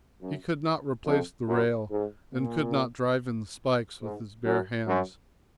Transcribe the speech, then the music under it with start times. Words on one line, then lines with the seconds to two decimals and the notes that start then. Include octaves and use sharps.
He could not replace the rail and could not drive in the spikes with his bare hands.
0.22 F#2
1.06 F2
1.48 F#2
1.91 G#2
2.32 A#2
4.03 G#2
4.45 F#2
4.87 F#2